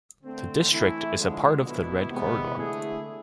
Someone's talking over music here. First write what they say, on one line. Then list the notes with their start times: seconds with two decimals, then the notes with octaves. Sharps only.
The District is a part of the Red Corridor.
0.23 D3 A3 C4
0.69 E3 A3 E4
1.16 D3 F3 G#3
1.63 B2 B3 E4
2.08 C3 E3 G#3 B3 E4
2.56 D3 A3 E4 G#4